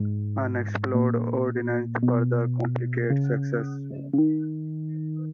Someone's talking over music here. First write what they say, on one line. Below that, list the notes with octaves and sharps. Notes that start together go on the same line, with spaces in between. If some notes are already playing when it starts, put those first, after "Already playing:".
Unexploded ordnance further complicates access.
Already playing: G#2
A#2
B2
C#3
C#3
D#3